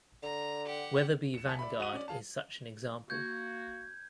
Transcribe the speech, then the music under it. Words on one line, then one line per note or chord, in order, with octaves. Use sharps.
Weatherby Vanguard is such an example.
D3 A#5
G4 F#5
C#7 E7
C2 G#5 A5 B6
D5 E5 B5
F#4 D#5 F#5 D#6 D#7
C#4 D5
G#4 F5 A5
A#3 F#4 G6 G#6